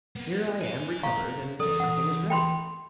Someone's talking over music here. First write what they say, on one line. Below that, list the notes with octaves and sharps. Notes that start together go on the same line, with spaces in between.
"Here I am recovered and everything is ready."
A#3 B3
F#3 G#5
F5 A#5 C#6
E3 A4 D5
F#5 D#6
G5 B5 C6